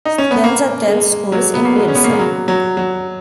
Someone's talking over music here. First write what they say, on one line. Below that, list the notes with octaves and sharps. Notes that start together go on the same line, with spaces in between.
Students attend schools in Wilson.
D#4
C#4
B3
A#3
G#3
F#3
B3
A#3
G#3
C#4
B3
A#3
G#3
F#3
F#3
F#3